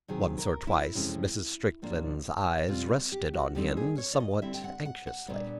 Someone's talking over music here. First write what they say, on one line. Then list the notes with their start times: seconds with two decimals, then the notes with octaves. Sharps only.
Once or twice Mrs. Strickland's eyes rested on him somewhat anxiously.
0.08 C3 D#3 F#3 G#4
0.38 A#4
0.67 E4
0.95 F2 C3 E3 G#3 C#4
1.82 A2 F3 A#3 D4
2.68 B2 G3 C4 F4
3.12 G4
3.34 F#4
3.55 F2 D3 G3 C4 D#4 G4
3.77 G#4
3.98 C#5
4.13 D5
4.20 D#5
4.42 D3 G3 C4 E4 E5
4.54 G5
4.64 F#5
4.85 F#5
5.07 F#5
5.28 A#2 G3 B3 D4